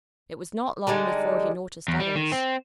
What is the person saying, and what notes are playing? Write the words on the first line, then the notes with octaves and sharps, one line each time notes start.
It was not long before he noticed others.
D3 G3 G#3 D#4
E2
G3
D#3
C4